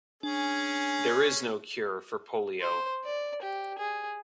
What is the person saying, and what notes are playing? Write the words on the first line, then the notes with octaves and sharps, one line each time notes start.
There is no cure for polio.
C#4 D4 G#4
C5
D5
G4
G#4